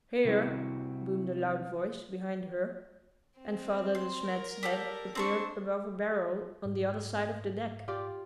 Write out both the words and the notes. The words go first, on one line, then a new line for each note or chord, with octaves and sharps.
"Here!" boomed a loud voice behind her, and Father De Smet's head appeared above a barrel on the other side of the deck.
C3 F#3 G3 C4 E4 F#4
C4
C6
A#4
G4 A4 D5
C4 D4 C5 A#5 C#6
G#2
F4 G4 D5